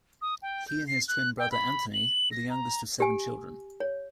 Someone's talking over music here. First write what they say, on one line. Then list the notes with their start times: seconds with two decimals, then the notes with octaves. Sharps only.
He and his twin brother, Anthony, were the youngest of seven children.
0.22 D#6
0.42 G5
0.68 G6
0.88 C7
1.08 F#6
1.39 G5
1.52 B5
1.93 F#7
2.32 A#6
2.50 A#5
3.00 G4 G#5
3.80 C#5